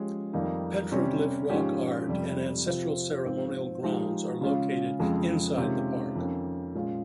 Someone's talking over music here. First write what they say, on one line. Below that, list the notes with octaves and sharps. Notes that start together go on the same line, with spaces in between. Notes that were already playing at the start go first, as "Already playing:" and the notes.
Petroglyph rock art and ancestral ceremonial grounds are located inside the park.
Already playing: F3 G#3 C#4 G4
F2 D#3 G3 A#3 D#4
C3 G3 C#4 G4
G#2 F3 G#3 C#4 G4
F2 C3 G3
C3 F3 C4 F4
G#2 F3 C4
F3 G#3 D#4 G4
C#3 G#3 C#4 F4
F2 C#3 F3 G#3
C3 D#3 G#3 C#4 F4
F2 D#3 A#3 C#4
A#2 G#3 C#4 F4